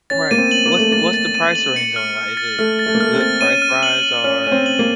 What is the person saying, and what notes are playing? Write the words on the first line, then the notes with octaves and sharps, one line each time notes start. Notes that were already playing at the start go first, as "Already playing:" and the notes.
Right, what's what's the price range on it, like, is it good price rise or
C#4 A6
A#3 D#7
C4
F#7
A#3
F#7
A3
A#3 A6
A6
D#7
F#7
C#7
F6
F6
A6
A3 F6
A6
A3
A#3
A3 F6
C4
A6
C#4 D#7
F6
F#7
F#7
C#4 F6
C#4 D#7
C4
F#7
A#3